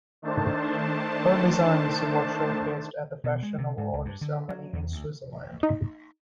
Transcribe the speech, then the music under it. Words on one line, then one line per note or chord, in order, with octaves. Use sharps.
Her designs were showcased at the Fashion Awards Ceremony in Switzerland.
D#3 A3 D4 C5 A5
B2
G#3
C3
G#2
C#2
G2
D3
F#3
E2
D2
D#4